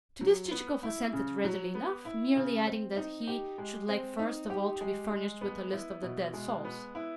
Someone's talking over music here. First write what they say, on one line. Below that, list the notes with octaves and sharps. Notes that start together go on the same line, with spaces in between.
To this Chichikov assented readily enough--merely adding that he should like first of all to be furnished with a list of the dead souls.
F#3
B3
E4
C#3
F#3
B3
E4
C#3
C4
D#4
G4
G#3
C4
D#4
G4
G#3
G#3
B3
E4
B2
G#3
B3
E4